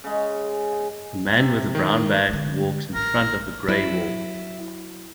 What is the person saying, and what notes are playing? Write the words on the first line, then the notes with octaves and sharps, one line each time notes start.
A man with a brown bag walks in front of a gray wall.
C#3 G#3
C3
D#3
D3 G#3
A1 A#4
F#3 E4